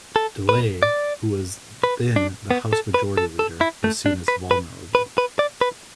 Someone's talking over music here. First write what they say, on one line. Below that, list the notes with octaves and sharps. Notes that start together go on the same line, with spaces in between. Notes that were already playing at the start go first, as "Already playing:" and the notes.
DeLay, who was then the House Majority Leader, was seen as vulnerable.
A4
B4
D5
B4
D4
B3
A4
B4
A4
A4
E4
A3
D4
B4
B4
B4
B4
D5
B4